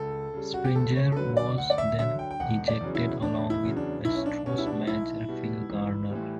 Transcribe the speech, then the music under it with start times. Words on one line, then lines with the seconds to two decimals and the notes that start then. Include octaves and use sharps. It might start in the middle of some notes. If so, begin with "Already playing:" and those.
Springer was then ejected along with Astros manager Phil Garner.
Already playing: C#2 A4
0.34 C#3 G3
0.54 F#4
0.64 G4
0.75 D2 A4
0.96 C#5
1.12 A4
1.16 D3 F#3 B4
1.37 D5
1.58 D2 F#5
1.70 D5
1.78 E5
1.99 D3 F#3 E5
2.19 G5
2.31 G5
2.40 E1 F#5
2.68 D5
2.81 E2 C#3 F#3
2.95 E4
3.22 E1 D4
3.50 E4
3.63 E2 C#3 F#3
3.77 D4
4.05 B1 E4
4.15 C#4
4.26 D4
4.46 B2 G3 C#4
4.58 E4
4.67 D4
4.87 B1 E4
5.28 B2 G3
5.70 A1
6.10 A2 E3 G3